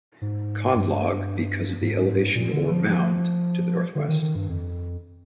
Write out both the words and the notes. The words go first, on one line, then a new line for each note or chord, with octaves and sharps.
Conlogue because of the elevation or "mound" to the northwest.
G#2
G2
G#2
A#2
D3
F3
F3
D3
D#3
D#3
G2
F2